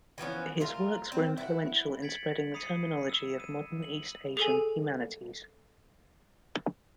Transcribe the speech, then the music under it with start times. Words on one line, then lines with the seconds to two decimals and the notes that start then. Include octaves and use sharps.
His works were influential in spreading the terminology of modern East Asian humanities.
0.18 E3 F3 B3 C#4
0.60 A3 F4 A#4
1.12 C4
1.37 E4 F#5
2.02 G#6 A6 B6 C#7 D7 F#7
2.54 B5 D#6 C7 C#7 D#7
3.10 E6 E7
3.40 D#7
3.83 F#7
4.37 G#4 A4 G#5